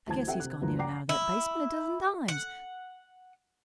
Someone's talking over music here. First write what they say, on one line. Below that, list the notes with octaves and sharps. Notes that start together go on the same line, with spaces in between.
I guess he's gone in and out of that basement a dozen times.
D2 E3 C5 A5 G#6
C4 G4 A4 E5 F#5 G5
C3 F#6
D2 G2 E3 F3 A#3 A#5
D5 F#5 G5 A#5 D6 C7
E4
F#5